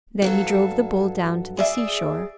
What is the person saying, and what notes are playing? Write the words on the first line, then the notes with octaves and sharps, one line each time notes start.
Then he drove the bull down to the seashore.
G2 F#3 A4
G#4 D5 E5